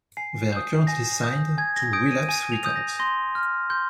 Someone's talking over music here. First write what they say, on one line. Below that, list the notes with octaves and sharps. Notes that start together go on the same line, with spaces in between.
They are currently signed to Relapse Records.
G#5 C7
D#6 G6
G#5 A#6
D#6 G6
G#5 G#6
A#6
D#6 G6 D7
D#7
G#5 D#7
F7
D#6 G6
A#6
C6 A#6
F6
C6 G6